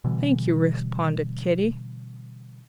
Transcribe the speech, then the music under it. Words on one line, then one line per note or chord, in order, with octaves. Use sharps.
"Thank you," responded Kitty.
B2 D3 E3 G3